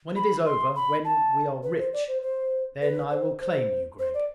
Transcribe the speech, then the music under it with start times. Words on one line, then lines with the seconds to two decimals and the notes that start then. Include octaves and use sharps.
"When it is over--when we are rich--then I will claim you, Gregg."
0.16 B5
0.46 C6
0.76 B5
1.05 A5
1.63 B4
1.78 C5
1.93 D5
2.08 C5
2.22 C5
2.82 B4
3.11 C5
3.41 C5
3.99 C5
4.14 D5